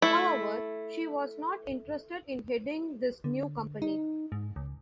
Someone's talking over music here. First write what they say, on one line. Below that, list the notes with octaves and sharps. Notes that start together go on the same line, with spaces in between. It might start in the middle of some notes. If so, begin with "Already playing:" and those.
However, she was not interested in heading this new company.
A3 E4
D3
D#4
G#2
C#2